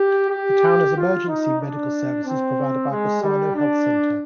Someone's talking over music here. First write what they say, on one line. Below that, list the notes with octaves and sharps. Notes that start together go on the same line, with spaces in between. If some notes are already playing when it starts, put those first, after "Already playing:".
The town has emergency medical services provided by Bassano Health Centre.
Already playing: G4
G4
F4
D#4
D4
C4
G#3
G3
D4